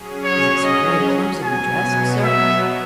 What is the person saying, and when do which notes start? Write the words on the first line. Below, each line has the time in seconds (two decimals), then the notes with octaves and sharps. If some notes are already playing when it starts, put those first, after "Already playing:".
"Is it so very clumsily dressed, sir?"
Already playing: F#3 C#4 G#4
0.24 C#5
0.64 D#5
1.44 B2 F#3 B3 G#5
2.23 E5